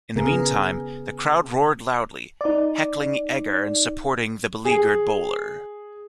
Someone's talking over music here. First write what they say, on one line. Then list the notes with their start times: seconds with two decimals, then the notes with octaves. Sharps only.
In the meantime, the crowd roared loudly, heckling Egar and supporting the beleaguered bowler.
0.16 C#3 B3 G#4 A#4
2.41 D#4 D5
4.65 G#4